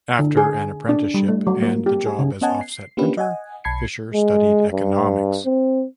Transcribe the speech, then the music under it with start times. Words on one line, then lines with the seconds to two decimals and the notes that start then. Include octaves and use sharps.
After an apprenticeship and the job as offset printer Fischer studied economics.
0.19 D3
0.37 G#4
0.89 D4
1.14 G3
1.28 A3
1.47 F#3
1.62 A#3
1.86 G4
2.06 G#4
2.19 C#3
2.41 B3 C#4 D#5 F#5 G#5 A5
2.61 C7
2.97 A#3 C#4 D4 F4 G4 B4
3.17 D#5 F#5 G#5
3.64 B1 A5 B5 G#6 C7 C#7
4.14 G#3
4.73 G2
5.46 C4